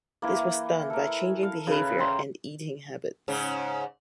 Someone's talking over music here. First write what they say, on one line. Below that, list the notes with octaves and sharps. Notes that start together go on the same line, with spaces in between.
This was done by changing behaviour and eating habits.
E3 A#3
A4 A#4
F5
C#3 B4
E5 G5 A#5 C6
G#2 C#3